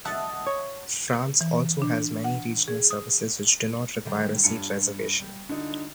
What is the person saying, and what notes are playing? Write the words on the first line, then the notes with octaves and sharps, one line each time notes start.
France also has many regional services which do not require a seat reservation.
D#5 E5 F#5 A5
C#5
E3
D4
F#5
G#4
D#6
D3 D#3 G3
G2 C#4 F4 C#7
G3
D3 D#4 F4 F#4